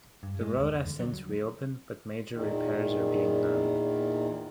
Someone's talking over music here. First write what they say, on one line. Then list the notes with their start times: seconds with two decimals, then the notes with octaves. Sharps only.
The road has since reopened but major repairs are being done.
0.23 G2
0.41 G#3
0.56 D#2
0.74 E2
0.87 D3
0.99 F#3
2.33 E2 A#2 D#3